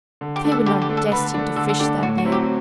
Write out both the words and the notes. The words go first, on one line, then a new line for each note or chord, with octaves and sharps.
They were not destined to fish that day.
D3
G4
A3 D4
A4
D3 G4
G4
A3 D4
A4
D3 B4
A3 D4
D3 A4
A4
A3 D4 G4
A2 F#4
F#4
F#3 C4 E4
G4